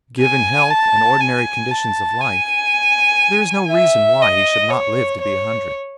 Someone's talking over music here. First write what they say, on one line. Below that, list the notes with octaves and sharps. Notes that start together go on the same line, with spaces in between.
Given health and ordinary conditions of life, there is no reason why he should not live to be a hundred.
G#5
A5
G#5
A5
G#5
E5
D#5
C#5
C#5